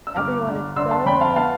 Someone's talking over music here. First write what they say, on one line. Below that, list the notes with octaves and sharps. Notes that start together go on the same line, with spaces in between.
everyone is so,
E6
G1 D6 F6
D3
D3 C6 E6
A5 C6
F2 G5 B5
F5 A5
B3 F5 A5